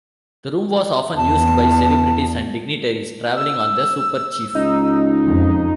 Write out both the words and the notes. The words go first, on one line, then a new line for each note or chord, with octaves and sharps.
The room was often used by celebrities and dignitaries traveling on the "Super Chief".
E2 A5
E6
C#2 D#4
F2